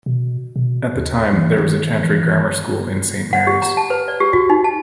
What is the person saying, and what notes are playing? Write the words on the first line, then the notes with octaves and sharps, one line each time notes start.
At the time, there was a chantry grammar school in Saint Mary's.
B2
B2
D#2
E3
D#3
E3
F#5
G4
A#5
A5
B4
D5
G4
F#4
D#4
A5